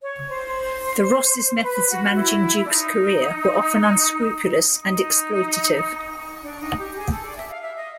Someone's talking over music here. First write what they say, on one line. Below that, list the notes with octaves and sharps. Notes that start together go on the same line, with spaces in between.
The Rosses' methods of managing Duke's career were often unscrupulous and exploitative.
C#5
C5
B4
F#4
E4
D4
D#4
D#4
D4
D#4
G4
G#4
A4
D5
E5
F5
E5
D#5